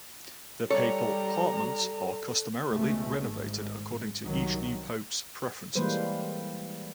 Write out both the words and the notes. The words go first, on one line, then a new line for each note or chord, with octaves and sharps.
The Papal Apartments are customarily renovated according to each new pope's preferences.
G3 A4 C#5 D5 A#5
C#2 B2 G#3 A3
G#1 G#2
C2 D#3 F#3
E3 G3 G#3 A#3 B4 C5